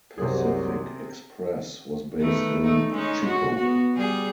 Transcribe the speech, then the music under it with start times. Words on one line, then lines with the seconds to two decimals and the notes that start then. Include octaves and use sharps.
Pacific Express was based in Chico.
0.18 C2 F#2 C3 G#4
2.19 D#3 A3 B4
2.62 A3 D#4
2.93 G#3 C#4 D#4
3.26 F#4
3.56 B3 F#4
3.94 G3 G#4